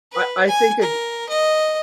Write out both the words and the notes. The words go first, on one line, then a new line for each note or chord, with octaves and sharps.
I I think it
B4
G#5
A#4
D#5